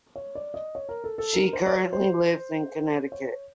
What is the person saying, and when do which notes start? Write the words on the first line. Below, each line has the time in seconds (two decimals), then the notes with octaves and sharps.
She currently lives in Connecticut.
0.16 C#5
0.35 D5
0.54 D#5
0.75 C#5
0.89 A#4
1.04 A4
1.18 A4
1.33 A#4
1.53 C5
1.66 D5
1.73 C#5
1.93 C5
3.12 C#5